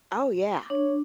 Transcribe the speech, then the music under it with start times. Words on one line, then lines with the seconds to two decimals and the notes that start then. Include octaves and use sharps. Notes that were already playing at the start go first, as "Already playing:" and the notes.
Oh, yeah.
0.70 D4 C#5